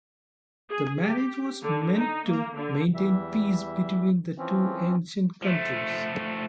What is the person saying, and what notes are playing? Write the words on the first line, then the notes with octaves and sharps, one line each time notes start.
The marriage was meant to maintain peace between the two ancient countries.
G#4
G4
D3
D#4
A#3
D3
E2 E3 G3 E5
E3 F3 C4 C#4
F3 A3